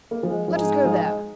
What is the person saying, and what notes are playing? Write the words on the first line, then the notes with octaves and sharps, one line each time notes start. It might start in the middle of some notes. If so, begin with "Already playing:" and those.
Let us go there!
A#3
F3
G#3
G#2 F3 G#3 D#4 G#4
F3
G#3